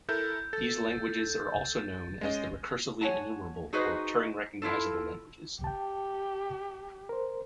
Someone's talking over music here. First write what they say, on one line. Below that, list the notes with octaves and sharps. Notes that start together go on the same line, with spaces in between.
These languages are also known as the "recursively enumerable" or "Turing-recognizable" languages.
E4 A4 A#4 G6
A4 A6
G#3 C#4 D#5
C#5 F#5 G#5 A5
D#4 F#4 G#4 B4 C5 D#5
F3 E4 F4 A4
G4 G5 A5
A#4 C5